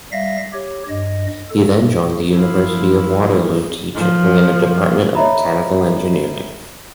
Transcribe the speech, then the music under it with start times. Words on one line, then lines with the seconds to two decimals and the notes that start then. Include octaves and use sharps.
He then joined the University of Waterloo teaching in the department of mechanical engineering.
0.12 G3 E5 F5 A#6
0.53 G4 C#5
0.89 G2 D#5
1.49 A4
2.34 F3 E4
3.95 F3
5.15 C#5 D#5 E5 A#5 B5